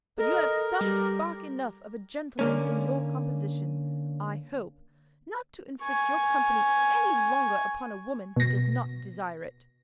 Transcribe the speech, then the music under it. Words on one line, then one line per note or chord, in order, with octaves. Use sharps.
But you have some spark enough of a gentleman in your composition, I hope, not to inflict your company any longer upon a woman who does not desire it.
A4 A#4 D#5
G3 G4
D3 A#3 C#4
G#5 C#6
B2 A#6